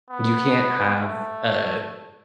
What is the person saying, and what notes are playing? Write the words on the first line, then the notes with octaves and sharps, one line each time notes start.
You can't have a
B3
A3